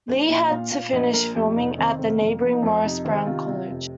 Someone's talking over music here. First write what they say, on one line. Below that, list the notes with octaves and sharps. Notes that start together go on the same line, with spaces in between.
Lee had to finish filming at the neighboring Morris Brown College.
A#1 C5
A#2 D#5
A#2 F5
A#2 F5
A#1 D#5
A#2 A#4
F2 G4
F1 D#4
D#3 C4
F1 C4
A#3
F2
A#3
F2
D#4
F2 C4
C3 D#4
D#3 C4
C3 F4
C3
F1